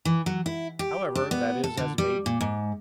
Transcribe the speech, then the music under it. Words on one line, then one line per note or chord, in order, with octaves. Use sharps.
However, that is as may be.
E3
F#3
E4
G4
D4
B3
A4
D3
G3
A#2
G#2